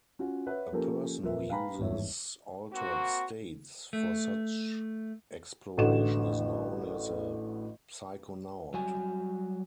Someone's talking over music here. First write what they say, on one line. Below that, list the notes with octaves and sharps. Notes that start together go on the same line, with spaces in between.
A person who uses altered states for such exploration is known as a psychonaut.
C#4 F4 F#4
B4 C#5 E5 F#5
F3 A#3 C#4 G4 A4 A#4
D#1 F3 A#4 B4 E5
B4 F5 G5 G#5 A#5 B5
G#1 E2 G2 C#5 E5
A#3 C4 F#4
A3
A1 A2 D3 F#4 E7
F#3 G3 F#4 G#5